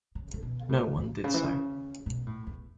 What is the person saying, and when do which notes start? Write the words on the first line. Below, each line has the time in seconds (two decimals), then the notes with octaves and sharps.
No one did so.
0.15 C#3
0.34 C#3
0.43 B2
0.69 A2
0.97 A2
1.24 C#3
1.34 E3
1.44 C#3
2.06 B2
2.26 A2
2.47 E2